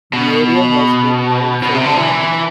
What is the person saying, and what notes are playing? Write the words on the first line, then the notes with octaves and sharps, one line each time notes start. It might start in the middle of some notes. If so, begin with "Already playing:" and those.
The area has been mined for uranium.
B2
B2
C3
D3
E3